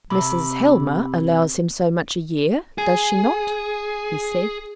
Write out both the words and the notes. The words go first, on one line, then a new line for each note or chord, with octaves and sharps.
"Mrs. Helmer allows him so much a year--does she not?" he said.
C3 B5 D6 E6
G#4 G#5